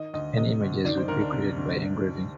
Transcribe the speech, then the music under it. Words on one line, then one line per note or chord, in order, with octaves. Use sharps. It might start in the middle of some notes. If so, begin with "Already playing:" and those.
Any images would be created by engraving.
Already playing: D#3 D#5
D2 D#5
C3 D#5
D2
D#3 D5
C5
D2 A#4
D4
C3
D2